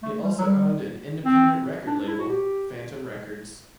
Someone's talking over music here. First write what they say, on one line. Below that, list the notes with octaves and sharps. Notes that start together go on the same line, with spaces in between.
He also owned an independent record label, Phantom Records.
A3
G3
F#3
G3
C4
D4
E4
F#4
G4